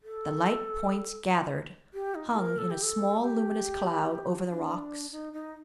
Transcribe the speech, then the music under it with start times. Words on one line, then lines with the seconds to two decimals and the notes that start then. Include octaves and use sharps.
The light points gathered, hung in a small luminous cloud over the rocks.
0.03 A4
1.94 G4
2.15 D#4
2.36 A#4
2.58 A4
2.71 G4
2.83 A4
3.21 G4
4.49 D4
5.12 D#4
5.33 D#4